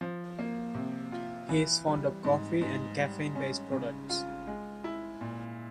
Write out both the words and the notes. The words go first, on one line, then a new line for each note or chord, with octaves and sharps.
He is fond of coffee and caffeine-based products.
F3
A#3
C3
F4
E3
G3
G#2
G#2
G3
C#4
C#3
F4
G#3
E4
A#2